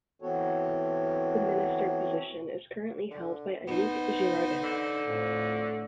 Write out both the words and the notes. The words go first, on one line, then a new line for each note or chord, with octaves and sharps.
The minister position is currently held by Annick Girardin.
E3 B3 C4 F#4 A4 C#5
D3
B3 D#4 C5
D3
F2 A2